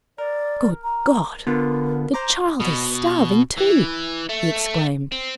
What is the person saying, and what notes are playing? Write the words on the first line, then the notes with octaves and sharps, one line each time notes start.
"Good God! the child is starving, too," he exclaimed.
A#4 D5
A#5
D3 B3 F4 A#4
C5 A#5 D6
B2
E3
A3
C4